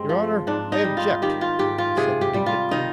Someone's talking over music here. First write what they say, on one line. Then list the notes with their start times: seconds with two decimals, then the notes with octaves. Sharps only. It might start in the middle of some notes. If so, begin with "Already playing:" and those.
"Your Honour, I object," he said indignantly.
Already playing: G2 G#3 C4
0.09 F3
0.47 G#2 D4
0.72 D#4
0.84 G3
0.97 F4
1.22 D#3 G4
1.41 F4
1.59 G#2 G4
1.78 F4
1.97 C3 G#4
2.21 G4
2.34 G3
2.46 F4
2.71 D#3 D#4